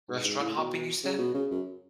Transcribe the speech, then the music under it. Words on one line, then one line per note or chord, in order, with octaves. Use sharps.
Restaurant hopping, you said?
G#2
G#2
A2
B2
C#3
B2
C#3
F#2